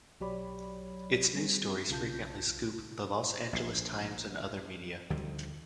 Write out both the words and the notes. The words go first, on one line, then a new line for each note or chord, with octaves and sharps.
Its news stories frequently scoop the "Los Angeles Times" and other media.
B1 F#3 G4 C#5 D5 B5
G3 C4 G#4
B1 C#3 F4 A5 G6
A#1
D2 D#3 F3 G3